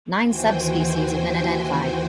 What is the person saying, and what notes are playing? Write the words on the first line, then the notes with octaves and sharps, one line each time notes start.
Nine subspecies have been identified.
D#2 E3 F#4 C5 G5 G#5